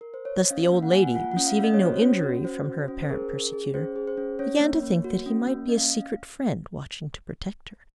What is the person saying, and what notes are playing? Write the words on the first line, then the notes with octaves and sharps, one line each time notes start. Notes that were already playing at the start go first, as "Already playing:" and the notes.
Thus the old lady, receiving no injury from her apparent persecutor, began to think that he might be a secret friend watching to protect her.
A#4
C5
C#5
D#5
C#4 F5
A#3
F#5
A#3 G#5
F#5
F4 F#5
F#5
C#4
F5
A#3
D#5
C#5
F#4
C5
C#4 C#5
F#4
C#4 C5
F#4
C#4
C5
G#4 A#4
C#4
G#4
C#4 C5
G#4
C5
C#4
C#4 C#5
A#3
A#3
F#4
C#4
A#3
C#4 D#5
F5